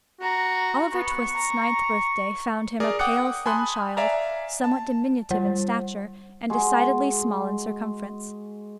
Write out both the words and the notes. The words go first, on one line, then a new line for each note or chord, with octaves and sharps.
Oliver Twist's ninth birthday found him a pale thin child, somewhat diminutive in stature, and decidedly small in circumference.
F#4 A#5
B3 C#6
A#5
G#4 A#4 D5 D6
F#5 G5 D6 D#6 F#6 C#7
G#5 A5 B5 C6 D#6 F#6
D5 E5 F5 G#5 A#5
A5
G3
G#3 F#4